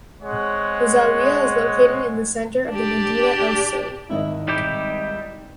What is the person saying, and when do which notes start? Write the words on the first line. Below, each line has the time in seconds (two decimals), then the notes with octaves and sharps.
The zawiya is located in the center of the medina of Sousse.
0.22 G#3 C4 G#4 C#5 F#5 C#6
2.70 D4 G4
4.10 G#1 D#3 E4 D#5
4.48 G3 D#4 E4 G4